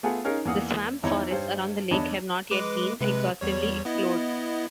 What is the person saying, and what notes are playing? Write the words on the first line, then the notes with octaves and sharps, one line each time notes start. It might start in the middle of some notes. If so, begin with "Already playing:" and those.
The swamp forests around the lake have not yet been exhaustively explored.
A3 B3 F4 G#4 F#5 G#5
C#4 D#4 G#4 A#4 C#5 F5
E2 E3 A#3 F5 F#5 D#6
E2 D#4 E4 C#5 A#5
G2 C5 C#5
E2 D4 C#5 D#5 A5 B5
G#3 B4 D6
C3 G#3 B4
E2 G3 C#5
B3 E4 D#5